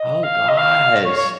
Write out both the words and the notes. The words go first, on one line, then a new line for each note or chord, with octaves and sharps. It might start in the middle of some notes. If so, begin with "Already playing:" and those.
Oh gosh.
Already playing: D#5
F5
D#5
F5
C#5
C#5